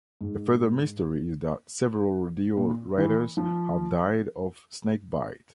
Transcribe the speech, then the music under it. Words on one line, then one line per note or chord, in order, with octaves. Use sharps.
A further mystery is that several rodeo riders have died of snakebite.
G#2
A#2
E3
F3